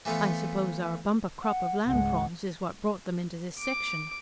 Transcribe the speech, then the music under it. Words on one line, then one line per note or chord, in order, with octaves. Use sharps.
"I suppose our bumper crop of land-prawns is what brought them into this section?"
E3 F3 A3 B3 F4
F#5
G#1 C#2 G#3 F#5
D6